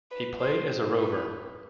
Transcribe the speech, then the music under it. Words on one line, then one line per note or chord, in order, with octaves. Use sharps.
He played as a rover.
B4
C5
B4